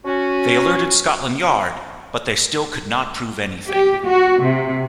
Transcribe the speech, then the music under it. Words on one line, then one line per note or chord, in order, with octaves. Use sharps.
They alerted Scotland Yard, but they still could not prove anything.
C#4 F#4
G4
F#4
C3